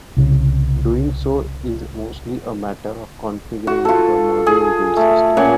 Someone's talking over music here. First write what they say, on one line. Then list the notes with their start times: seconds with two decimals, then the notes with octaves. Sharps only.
Doing so is mostly a matter of configuring the module build system.
0.17 C2 C#3
3.67 F#4
3.85 F4 A4
4.47 G#4
4.97 A3
5.37 A#2 C#4 F#5 G#5